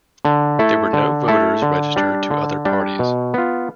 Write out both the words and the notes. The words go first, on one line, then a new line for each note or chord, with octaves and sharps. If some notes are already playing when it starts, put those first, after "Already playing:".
There were no voters registered to other parties.
D3
A3 E4 A4
D3
A3 E4 A4
D3
G3 D4
D3
G3 D4
B2
B3 F4